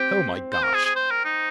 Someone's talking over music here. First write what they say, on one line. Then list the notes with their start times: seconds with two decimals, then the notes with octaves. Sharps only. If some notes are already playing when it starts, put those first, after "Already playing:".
"Oh, my gosh!"
Already playing: C4 G4
0.52 C5
0.63 A#4
0.74 G#4
0.85 G#4
0.96 C5
1.10 A#4
1.25 D#4